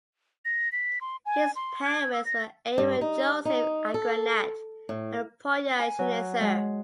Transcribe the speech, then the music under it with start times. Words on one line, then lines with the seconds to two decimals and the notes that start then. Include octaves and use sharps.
His parents were Aaron Joseph Agranat and Polya Schnitzer.
0.45 A#6
0.72 B6
1.01 C6
1.26 G#5
1.56 C6
1.84 G#6
2.13 E6
2.25 A#6
2.78 G2
3.01 D#4
3.45 D#4
3.94 A4
4.89 A2
5.79 G#5
5.99 F#3
6.41 G#3